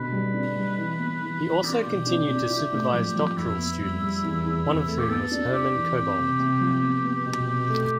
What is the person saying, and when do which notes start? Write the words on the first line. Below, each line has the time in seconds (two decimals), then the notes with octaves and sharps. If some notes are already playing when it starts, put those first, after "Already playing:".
He also continued to supervise doctoral students, one of whom was Hermann Kobold.
Already playing: B2 D3 B4
0.12 G3
0.34 D4
0.55 G3
0.78 E3
0.99 B3
1.21 E3
1.42 E3
1.64 D4 G4
1.73 F4
1.81 B2 G4
2.07 D4
2.28 D4
2.50 E4
2.72 A2
2.93 F3
3.15 F3
3.37 F2 E4
3.58 B3
3.80 G3
4.02 G3
4.23 E2
4.44 E2
4.66 E2
4.88 A3
4.98 G4
5.09 B3 A4
5.31 D4
5.52 D4 G4
5.74 E3
5.96 C4 G4
6.18 C3
6.39 C3
6.61 F3
6.82 B3
7.03 B3
7.25 B2
7.47 B2
7.69 A3